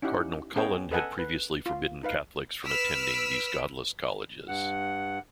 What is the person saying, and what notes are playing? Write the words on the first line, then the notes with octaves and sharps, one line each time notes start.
Cardinal Cullen had previously forbidden Catholics from attending these "godless colleges".
C#4 D#4 E4 G4 F#5
B3 C#4 G#4 C#5 D#5 G5
A4 B4 D#5 F#5 G#5 A5
B4
F4
D#4 B4 F5
B4 E6 F6 B6 D7
G2 F#5